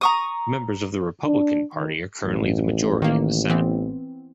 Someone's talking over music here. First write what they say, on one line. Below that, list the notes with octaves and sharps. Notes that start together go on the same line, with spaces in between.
Members of the Republican Party are currently the majority in the Senate.
A#5 C#6 D#6
D4
D#3
A1
D#3 A#3
E3 B3 C4